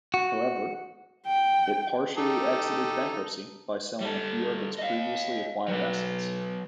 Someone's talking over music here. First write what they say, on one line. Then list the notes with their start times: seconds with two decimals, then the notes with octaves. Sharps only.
However, it partially exited bankruptcy by selling few of its previously acquired assets.
0.14 F#4
1.26 G5
2.18 D#4 G4 A4
4.00 G3 A4
4.79 D#5 F5
5.68 F#3 B4